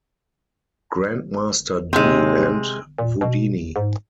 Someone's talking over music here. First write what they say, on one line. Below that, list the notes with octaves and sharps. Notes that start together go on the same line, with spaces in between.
Grandmaster D, and Whodini.
D#2 C3 G#3
A#2
B2
G#2